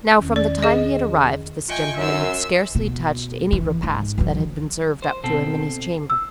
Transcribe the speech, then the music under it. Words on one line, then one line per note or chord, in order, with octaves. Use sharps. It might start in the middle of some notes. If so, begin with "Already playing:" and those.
Now, from the time he had arrived, this gentleman had scarcely touched any repast that had been served up to him in his chamber.
E2 D#3 C#4
D5
G#4 D#5
F4 D#5 E5 G5 G#5 C#6
F#2 A#4 C#5 E5 C6 E6
B2
E3
G#2
E3 F#3
C5
B2 C4 A4
E6